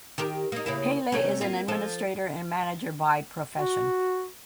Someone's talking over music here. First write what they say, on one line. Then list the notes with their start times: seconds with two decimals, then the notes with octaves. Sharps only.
Pele is an administrator and manager by profession.
0.18 D#3 G4 A#4
0.52 A#3 D#4
0.66 C#3 A#3 E4
1.12 C3 A3 C#4
1.41 A#3 F4
1.68 F3 A4
3.56 F#4